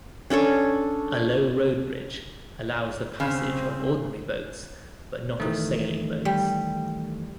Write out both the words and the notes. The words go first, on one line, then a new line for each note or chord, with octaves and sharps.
A low road bridge allows the passage of ordinary boats but not of sailing-boats.
C#4 D4 A4 C#5
C#3 C4
D#3 E3 A3
G3